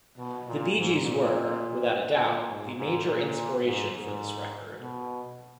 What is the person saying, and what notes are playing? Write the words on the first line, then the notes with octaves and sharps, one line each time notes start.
The Bee Gees were, without a doubt, the major inspiration for this record.
B2
A#2
G#2
A#2
A#2
G#2
G#2
A#2
G#2
G#2
B2